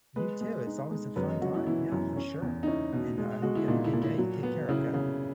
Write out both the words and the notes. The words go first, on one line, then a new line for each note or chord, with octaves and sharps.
You too. It's always a fun time. Yeah, for sure. And I hope you have a good day. Take care, okay?
G#3 B4
G#3
D#4
G#3
F#2 B4
D#5
F#2 F#4
E4
E3 E4
F#2
C#4
E2
D#4
C#4 E4
B2
G#3
G#3 F#4
E4
A#2 D#4
E4
A#2
E4
F#3
B3
C#3 E4
C#3